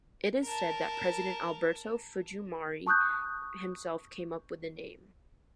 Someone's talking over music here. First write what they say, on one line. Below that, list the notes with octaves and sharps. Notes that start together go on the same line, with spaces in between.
It is said that President Alberto Fujimori himself came up with the name.
A#4 A5
A5 C#6 D#6 F#6 G6